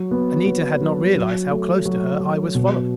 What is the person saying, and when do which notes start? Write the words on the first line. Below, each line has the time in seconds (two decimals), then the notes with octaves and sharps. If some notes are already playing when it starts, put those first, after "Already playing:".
Anita had not realized how close to her I was following.
Already playing: F#3
0.11 B3
0.46 B3
0.81 F#3
1.15 F#3
1.51 A3
1.85 F#3
2.20 F#3
2.55 B2